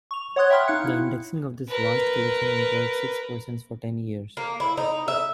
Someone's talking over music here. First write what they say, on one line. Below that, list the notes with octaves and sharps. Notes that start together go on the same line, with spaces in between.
The indexing of this vast collection employed six persons for ten years.
C#6 F7
C#5 F#5 C6 D#6 F#6 G#6
E5 G5 B5 C6 F6 F#6
D#4 F5 F#6 C#7
E4
A#4 B4
A#3
E4
D#4
E5